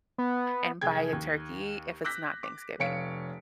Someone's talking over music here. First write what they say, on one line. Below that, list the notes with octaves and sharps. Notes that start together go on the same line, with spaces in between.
and buy a turkey if it's not Thanksgiving.
B3
F1 G#4 G5 G#6
D#2
D6 E6 F#6 G6 A#6 B6
D6
F1 C#5 F5 B6 C#7 D7